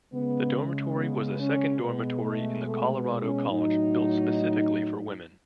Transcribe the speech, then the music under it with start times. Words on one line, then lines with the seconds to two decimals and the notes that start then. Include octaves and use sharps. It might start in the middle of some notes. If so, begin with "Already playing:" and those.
The dormitory was the second dormitory in the Colorado College built specifically for women.
0.13 C#3 G#3 B3
0.97 B3
1.40 C#4
1.81 B2 G#3 B3
2.23 A3
2.66 A3
2.94 B3
3.22 C#4
3.50 A2 F#3 D#4